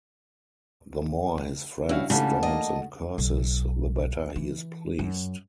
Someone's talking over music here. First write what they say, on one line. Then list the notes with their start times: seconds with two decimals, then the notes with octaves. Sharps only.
The more his friend storms and curses, the better he is pleased.
1.89 G2 C#4 D4 E4 F#4 C#5 F5
2.10 G#2 C#3 E3 G3 A3 F#4 A5
2.43 A#3 D4 D#5
3.18 B1
4.36 E3
4.99 F#2